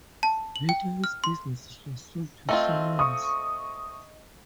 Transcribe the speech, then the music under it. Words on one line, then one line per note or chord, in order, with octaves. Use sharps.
Later this business was sold to Siemens.
A5
F#7
G5
F6
C6
A3 C4 F4 D#5
C#6 D#6